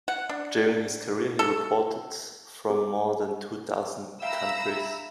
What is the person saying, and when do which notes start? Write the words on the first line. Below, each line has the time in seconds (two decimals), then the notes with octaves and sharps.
During his career, he reported from more than two dozen countries.
0.08 F#5
0.29 D4
1.39 A4
2.70 G#4
4.22 E5 F5 G5 A#5 B5 E6